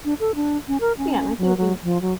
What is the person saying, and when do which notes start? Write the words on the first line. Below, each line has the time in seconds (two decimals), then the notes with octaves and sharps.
Yeah, and I think in
0.05 D4
0.20 A4
0.35 D4
0.68 C#4
0.80 A#4
0.98 C#4
1.38 F#3
1.57 F#3
1.83 F3
2.01 F#3